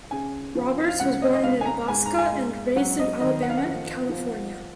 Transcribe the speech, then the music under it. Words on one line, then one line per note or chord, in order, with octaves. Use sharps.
Roberts was born in Alaska and raised in Alabama and California.
C#3 G#5
F3
F5
C#2 F#5
D#5
D#5
C#2 F5
G#5
A#5
G#2 G#5
A#5
G#5
G#2
F#3 F#5
D#5
D#3 D#5
F#5
F5
F#5
F3
F3